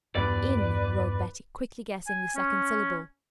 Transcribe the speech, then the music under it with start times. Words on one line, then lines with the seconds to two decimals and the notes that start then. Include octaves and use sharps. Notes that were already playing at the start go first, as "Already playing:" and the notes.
"Inn" wrote Betty, quickly guessing the second syllable.
0.15 E2 G2 B4 D5
2.07 G#5
2.35 C#4